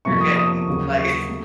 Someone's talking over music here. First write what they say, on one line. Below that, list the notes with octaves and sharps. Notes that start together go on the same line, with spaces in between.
You're getting, like,
F2 C3 F3 A#3 C#6
D#6
D#6
D#2 C#3 F#3 A#3
C#6
A3